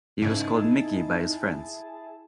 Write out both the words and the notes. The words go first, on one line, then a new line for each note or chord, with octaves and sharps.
He was called Mickey by his friends.
G#2 C#3 D#4 E4 G#4 A5